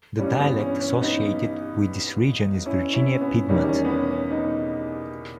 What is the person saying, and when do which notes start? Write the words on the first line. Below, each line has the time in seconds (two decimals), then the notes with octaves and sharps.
The dialect associated with this region is Virginia Piedmont.
0.19 G2 E3 G3 C#4
0.39 B3
0.60 C#4
0.80 C#4
1.01 B3 D#4
2.66 C#4 E4
2.93 C#4 E4
3.14 C#4
3.21 B3
3.49 E2 D#3 G3 C#4
3.69 C#4
3.85 B3
3.90 C#4
4.10 C#4
4.31 B3 D#4